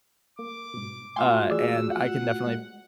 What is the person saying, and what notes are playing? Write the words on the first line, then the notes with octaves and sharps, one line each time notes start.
uh, and I can definitely
A#3 D6
G#2 B2
A3 F4 F#4 G5 G#5 C6
E3 G#4 D5 E6
F#5
G#3